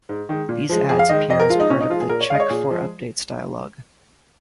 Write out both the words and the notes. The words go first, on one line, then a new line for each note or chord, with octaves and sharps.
These ads appear as part of the "Check for updates" dialog.
G#2
D#3 G#3
A#2
F3 G#3
F2 G#4
F5
D#3 G#3 D#5
F2 D#5
A#4
F3 G#3 F4
D#4
A#2 C#4
D#4
F3 G#3 F4
G#4
A#2 A#4
C#5
G#3 D#5 F5
C#5
A#2 G#4
F3 G#3